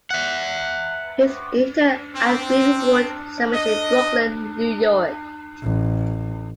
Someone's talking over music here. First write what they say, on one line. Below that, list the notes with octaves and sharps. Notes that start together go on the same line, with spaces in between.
He is interred at Green-Wood Cemetery, Brooklyn, New York.
E5 F#5
C4
D#5
A1